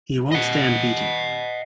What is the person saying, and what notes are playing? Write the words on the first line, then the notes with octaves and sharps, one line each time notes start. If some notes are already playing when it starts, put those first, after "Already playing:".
He won’t stand beating.
D#5 F#5